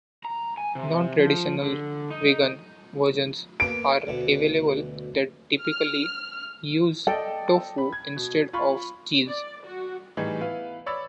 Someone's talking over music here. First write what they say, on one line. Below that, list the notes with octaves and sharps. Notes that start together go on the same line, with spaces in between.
Non-traditional vegan versions are available that typically use tofu instead of cheese.
A#5
G#5
C3
F3
D3
D#4
A#3 B3 D7
D2 B2
F6
A4 D5 D#5 G5
B5
G#6
B2
F4 B5 C#6
D5
F#4
A2 E3 G3 D#4 G#4
B3 E4 B4 F5
C#5 D5 B5 E6 A6